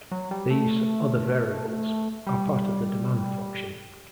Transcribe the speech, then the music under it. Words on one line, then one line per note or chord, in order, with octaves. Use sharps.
These "other variables" are part of the demand function.
F#3
G3
A3
G3